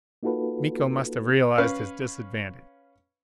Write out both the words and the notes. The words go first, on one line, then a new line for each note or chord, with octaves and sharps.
Miko must have realized his disadvantage.
A#3 D#4 F4 F#4 A4 B4
C#4 B4 F5